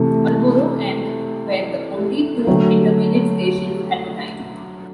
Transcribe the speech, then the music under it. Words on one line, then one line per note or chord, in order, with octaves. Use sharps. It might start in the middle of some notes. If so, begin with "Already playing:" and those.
Pulborough and were the only two intermediate stations at the time.
Already playing: C3 E3 A3
D3 F#3 A3